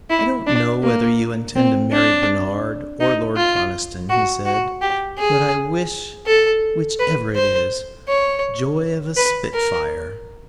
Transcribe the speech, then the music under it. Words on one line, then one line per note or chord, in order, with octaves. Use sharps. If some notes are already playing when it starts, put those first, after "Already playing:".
"I don't know whether you intend to marry Bernard or Lord Conniston," he said, "but I wish, which ever it is, joy of a spitfire."
E4
D4
A#3
C4
D4
D#4
F4
F#4
F#4
G4
G#4
A4
B4
C5
C#5
B4
A#4